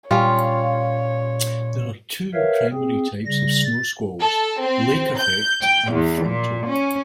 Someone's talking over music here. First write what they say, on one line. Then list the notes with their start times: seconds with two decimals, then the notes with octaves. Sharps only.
There are two primary types of snowsqualls, lake effect and frontal.
0.11 A#2 G3 C#4 F4 C#5
2.34 A#4 B4 C#5 E5 F5
2.73 C4 G#4
3.26 C#3 G3 A#6
3.64 A6
4.20 A4
4.59 C4
5.18 G6
5.62 G5
5.92 E2
6.23 A#2
6.67 C#4